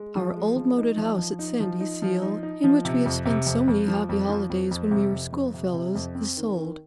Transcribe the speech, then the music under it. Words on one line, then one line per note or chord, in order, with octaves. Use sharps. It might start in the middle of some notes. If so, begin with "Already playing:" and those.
Our old moated house at Sandyseal, in which we have spent so many happy holidays when we were schoolfellows, is sold.
Already playing: G#3
F3
G#3
F3
D#4
F3
F3
D#4
F3
D#4
F3
D#4
D#4
F3
C3
F2
C3
F2
F2
F3
F2
F3
F2
F2
C3
F2
F2
C3
C3
F2
C4
D#3
D#3